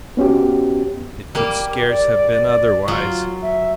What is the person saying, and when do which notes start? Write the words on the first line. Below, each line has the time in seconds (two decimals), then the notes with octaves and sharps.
It could scarce have been otherwise.
0.17 B3 C#4 F#4 G4
1.35 G3 A#3
1.89 D5
2.88 F#3 F4
3.42 E5